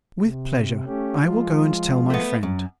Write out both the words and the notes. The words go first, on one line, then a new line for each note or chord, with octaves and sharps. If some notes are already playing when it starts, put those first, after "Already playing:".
"With pleasure; I will go and tell my friend."
C3
A3 C#4 G4
F3 G#3 F4
A3 B3
F#2